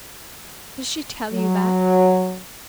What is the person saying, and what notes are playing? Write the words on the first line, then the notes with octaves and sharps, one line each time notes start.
"Did she tell you that?"
F#3